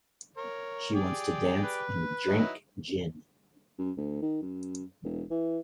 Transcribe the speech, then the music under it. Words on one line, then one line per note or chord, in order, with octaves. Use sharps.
She wants to dance and drink gin.
A#4 C#5
G4 G#4 D5
B4
F#3 D#4 E4
F#2
D2
D#3
F#2
E1
E3